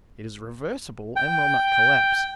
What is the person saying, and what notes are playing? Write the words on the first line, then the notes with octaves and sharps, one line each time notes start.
It is reversible and will not collapse.
G5